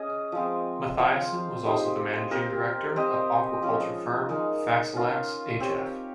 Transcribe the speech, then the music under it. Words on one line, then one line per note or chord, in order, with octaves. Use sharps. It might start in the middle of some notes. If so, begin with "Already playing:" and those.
Mathiesen was also the managing director of the aquaculture firm Faxalax hf.
Already playing: C#4 G#4 D#5
F3 G#3 C4
C4 F4 C5 F5
G#3 D#4 G4 C5
C4 G4 A#4
C4 G4 C5 D#5
F3 G#3 C#4
G#3 D#4 A#4
C#4 F4 A#4 F5
C4 G4 C#5